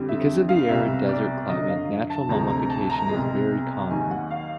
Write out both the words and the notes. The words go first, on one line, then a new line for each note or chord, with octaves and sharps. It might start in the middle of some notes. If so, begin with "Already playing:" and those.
Because of the arid desert climate, natural mummification is very common.
Already playing: F2 D3 G3
E5
F5
C2 B2 G3 E5
D5
F#2 D3 F#3 D#5
F5
A5
D2 C3 F3 G#3 A#5
A#5
A5
A#5
C2 B2 G#3
D#2 D#3 F#3 G#5
F#5
F5